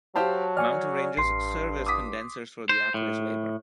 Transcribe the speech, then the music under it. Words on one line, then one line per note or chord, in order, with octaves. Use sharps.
Mountain ranges serve as condensers for the aqueous vapour.
F#3 G4 C5 F5 A5
D5 G#5 C#6 F6
A1 G2 C6 C7
D6 D#6 B6
C5
A2